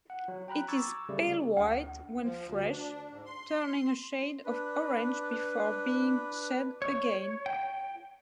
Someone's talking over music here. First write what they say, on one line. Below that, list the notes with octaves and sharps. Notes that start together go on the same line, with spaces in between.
It is pale-white when fresh, turning a shade of orange before being shed again.
F#5
F#3
G5 A#5 B5 F#6
A#5 C#6 D6 E6 G#6 A6
C#3 G3 A3
D2
F3
D2
D4
G#2
C6
D4 B4
C#5
G5